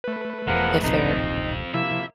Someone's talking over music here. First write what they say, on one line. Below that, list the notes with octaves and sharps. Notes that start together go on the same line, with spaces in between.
if they're
A3 B4
E1 E2 F3 G#3 E4 A#4 F#5
D1 A#1 F2 C3 F3 D#4 A#5
C3 F3 A#3 E4 E5